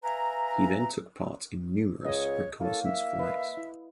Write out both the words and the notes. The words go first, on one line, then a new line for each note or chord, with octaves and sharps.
He then took part in numerous reconnaissance flights.
B4 E5 F5 G#5 A#5
C#2 C#5 D#5
A#3 E4 A4 C#5
E5
B4 D#5 F5
E4